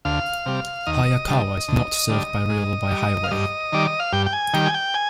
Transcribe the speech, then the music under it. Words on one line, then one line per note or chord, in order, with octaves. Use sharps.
Hayakawa is not served by rail or by highway.
D2 F5
C3 G3
D#2 D#5
D3 G3
D2
D3 G3
G#2
G3
F5
G2 D#5
D#3 G3 D5
D#5
F5
G2 G5
G5
G#5
D#3 G3 G5
G#5
G5
G#5